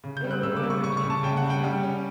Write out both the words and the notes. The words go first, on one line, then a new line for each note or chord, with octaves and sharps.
It’ll ruin her teeth and stomach.
C#3
G6
G3
F#6
C#3 E6
D6
G3
C#6
C#3 C#6
C#6
C#3
A5
C#3 G5
F#5
G3
G5
G3
C#4